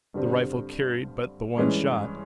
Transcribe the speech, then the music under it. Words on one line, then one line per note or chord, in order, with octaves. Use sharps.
The rifle carried but the one shot.
G2 D3 G3 C4
G2 E3 G#3 C#4